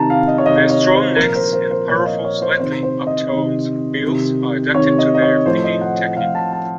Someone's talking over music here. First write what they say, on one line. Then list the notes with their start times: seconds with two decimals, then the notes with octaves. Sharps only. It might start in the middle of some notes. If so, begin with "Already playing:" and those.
Their strong necks and powerful, slightly upturned bills are adapted to their feeding technique.
Already playing: C3 D#3 A5 A#5
0.10 F5
0.28 D#5
0.38 C#5
0.46 C3 D#3 D#5
0.57 D#5
0.69 C#5
0.93 C5
1.16 A#2 F3 A#4
1.35 C5
1.53 C5
1.71 C5
1.88 A#2 F3 C#5
1.99 F5
2.06 D#5
2.25 C#5
2.42 C5
2.59 C3 D#3 C5
2.83 C5
3.07 D#5
3.31 C3 D#3
4.03 C3 D#3
4.74 C3 D#3 C#5
4.98 D#5
5.14 D#5
5.22 C#5
5.46 A2 F3 C5
5.64 D#5
5.81 F#5
6.17 A2 F3 F5
6.35 A5
6.53 A5